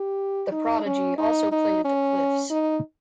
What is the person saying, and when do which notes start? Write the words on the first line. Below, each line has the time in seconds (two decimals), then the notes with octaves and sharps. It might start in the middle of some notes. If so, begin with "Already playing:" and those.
The Prodigy also played at the Cliffs.
Already playing: G4
0.52 D#4
0.86 C#4
1.18 D#4
1.52 D#4
1.85 C#4
2.51 D#4